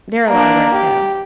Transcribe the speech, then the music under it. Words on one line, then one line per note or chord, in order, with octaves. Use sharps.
They're a lotta work though.
A#3 D4
G4